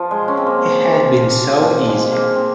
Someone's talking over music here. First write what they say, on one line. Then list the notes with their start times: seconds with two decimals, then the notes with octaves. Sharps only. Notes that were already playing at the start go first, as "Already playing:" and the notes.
He had been so easy.
Already playing: F3
0.11 G#3
0.28 C#4
0.37 C4
0.47 A#3
1.17 F3
1.52 F3
1.89 G#3
2.12 A#3
2.36 C4